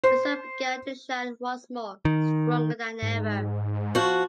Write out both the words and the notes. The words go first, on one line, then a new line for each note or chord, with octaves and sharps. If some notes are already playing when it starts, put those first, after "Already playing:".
The sun began to shine once more, stronger than ever.
C5
D#3
G#2
F3 F#4